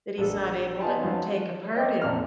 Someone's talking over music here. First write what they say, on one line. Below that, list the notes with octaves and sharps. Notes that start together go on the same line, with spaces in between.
that he's not able to, uh, take a part in.
A#1 A4
B3 D#4 F4 G#5 A5
F3 F#3 F4 C#5 A5
C#5 D#5 G5 D6
F2 A#2 D5 A5 F6